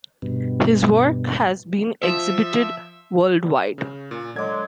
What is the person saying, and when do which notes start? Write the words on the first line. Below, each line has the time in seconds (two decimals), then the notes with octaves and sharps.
His work has been exhibited worldwide.
0.22 G2 B2
2.03 F3 E5
3.78 C#3
4.11 A#2
4.36 D3 F#3 G#3 D6 G#6